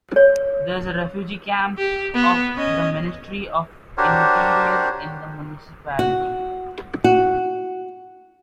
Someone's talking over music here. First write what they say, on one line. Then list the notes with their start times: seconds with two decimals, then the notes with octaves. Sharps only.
There is a refugee camp of the Ministry of Interior in the municipality.
0.16 C#5
1.78 G4
2.14 B3
2.56 C#4 D#5
3.97 D4 F#4 G4 A#4 C5 C#5
5.99 F#4
7.04 F#4